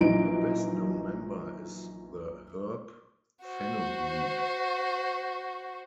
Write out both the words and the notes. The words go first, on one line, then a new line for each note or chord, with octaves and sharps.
The best known member is the herb fenugreek.
A#1 E3 F#3 D#4 D7
F#4 C5